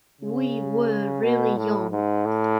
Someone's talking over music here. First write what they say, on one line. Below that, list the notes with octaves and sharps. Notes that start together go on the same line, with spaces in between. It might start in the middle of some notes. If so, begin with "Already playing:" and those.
We were really young.
C#3
B2
A2
G#2
A2